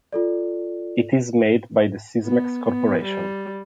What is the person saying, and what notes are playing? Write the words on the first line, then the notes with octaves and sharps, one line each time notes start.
It is made by the Sysmex Corporation.
F4 A4 D5
B3
B3
G3